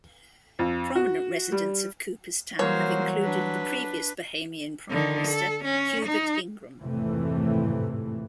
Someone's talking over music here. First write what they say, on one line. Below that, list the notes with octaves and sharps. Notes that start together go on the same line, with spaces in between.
Prominent residents of Coopers Town have included the previous Bahamian Prime Minister Hubert Ingraham.
F2
F#4
G3
E3 F#3 G3 A#3 C5 C#5
D4 B4
D3 D#3
A4
C#4
D#4
G#1 F2 A2 C3 E3 A3